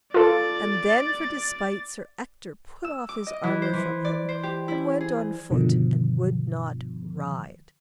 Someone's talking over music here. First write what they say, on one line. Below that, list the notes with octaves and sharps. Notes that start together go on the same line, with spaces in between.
And then for despite Sir Ector put off his armour from him, and went on foot, and would not ride.
F4 A4 D5 A6
E6
D6
D#5
E3
C5
E3
D5
C5
G4
E4
G#4
G2 B2 D3 D#3 F3